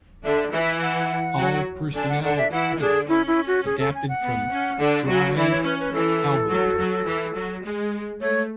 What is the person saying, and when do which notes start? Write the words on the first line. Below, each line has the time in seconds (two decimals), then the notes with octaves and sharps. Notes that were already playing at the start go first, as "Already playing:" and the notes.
All personnel credits adapted from "Dry"s album notes.
0.24 D3 D4 E5
0.52 E3 E4 E5
0.81 F#5
1.38 F#3 F#4
1.95 D3 D4 G#5
2.09 F#5
2.23 D3 D4 F#5
2.38 E5
2.52 E3 E4 F#5
2.80 D3 D4 G#4
3.09 C#4 E4
3.27 E4
3.47 F#4
3.65 G#4
3.79 A4
3.95 G#5
4.09 F#5
4.23 B3
4.51 C#4
4.79 D3 D4
5.08 F#3 F#4
5.36 E3 E4 D5
5.51 C#5
5.64 C#4 B4
5.79 B4
5.93 E3 A4
6.50 F#3
6.79 F#3
7.07 E3
7.35 F#3
7.64 G#3
8.20 A3 C#5